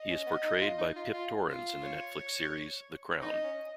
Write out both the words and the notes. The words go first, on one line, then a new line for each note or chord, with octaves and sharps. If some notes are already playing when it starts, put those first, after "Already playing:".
He is portrayed by Pip Torrens in the Netflix series "The Crown".
Already playing: D#5
C#4
B3
D#4
F4
D#4
F4
F4
F4
C#5
D#4 D#5
C#4